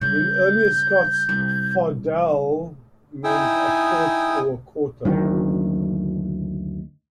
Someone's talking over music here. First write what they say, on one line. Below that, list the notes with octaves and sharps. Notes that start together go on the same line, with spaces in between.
In earlier Scots "fardell" meant a fourth or quarter.
C#3 G3 G6
C2
D#4 E4 G5 G#5 D#6 E6
F#1 D2 D#3